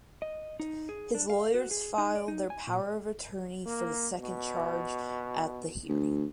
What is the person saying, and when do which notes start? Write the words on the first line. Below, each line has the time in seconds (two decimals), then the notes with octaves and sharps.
His lawyers filed their power of attorney for the second charge at the hearing.
0.22 D#5
0.60 D#4
0.89 G#4
1.15 D4
1.30 F5
1.54 F#4
1.71 G#4
1.98 D#4
2.15 D5
2.28 D#4
2.50 G#5
2.67 A#2
3.66 A#3
4.19 B2
5.89 D2